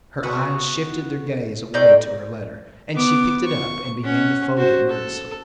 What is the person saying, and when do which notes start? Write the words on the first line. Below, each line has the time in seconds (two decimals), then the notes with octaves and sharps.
Her eyes shifted their gaze away to her letter, and she picked it up and began to fold it nervously.
0.23 B3 F#4
1.74 A2 D#4 D5 G5
2.95 B3 D6
3.46 C#6
4.04 C#4 F#5
4.57 F#4 C5
4.90 A4